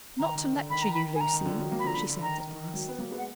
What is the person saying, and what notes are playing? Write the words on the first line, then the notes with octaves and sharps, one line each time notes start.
"Not to lecture you, Lucy," she said at last.
D#3 A#5
D#3
D3
D#3 B5
A#5
B5
G#5
D#3 A#5
D#3
D3 F3
D#3 F#3
F#3 A#3
B5
D3 F3 A#5
D3 B5
D3
D#3 A#5
D#3
D#3 F#3
B3
F#3 A#3
G#3 B3
F#5